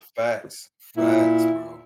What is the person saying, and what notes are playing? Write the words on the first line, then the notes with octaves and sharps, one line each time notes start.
Facts. Facts, bro.
A#2 E4